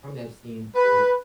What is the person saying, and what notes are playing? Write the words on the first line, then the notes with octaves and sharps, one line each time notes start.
from Epstein through
B4